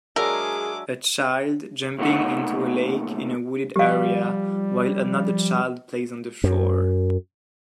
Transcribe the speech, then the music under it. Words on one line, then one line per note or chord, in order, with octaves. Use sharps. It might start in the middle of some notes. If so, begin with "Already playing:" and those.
A child jumping into a lake in a wooded area while another child plays on the shore.
F#3 G#3 D4 G#4 A#4 E5 D6
D#2 B2 A3 D#4 F#5
F3 G3 G4 F5
F#2